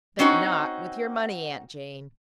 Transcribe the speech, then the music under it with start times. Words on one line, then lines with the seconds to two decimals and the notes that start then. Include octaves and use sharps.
But not with your money, Aunt Jane.
0.19 C4 C#4 D#4 F#4